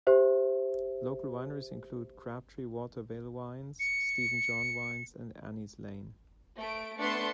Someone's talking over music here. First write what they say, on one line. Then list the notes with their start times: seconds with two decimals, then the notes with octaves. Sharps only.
Local wineries include Crabtree Watervale Wines, Stephen John Wines and Annie's Lane.
0.07 G4 C5 E5
3.80 C#7
6.59 A3 D7
6.99 A3 B3 D4 A4 C6 C#7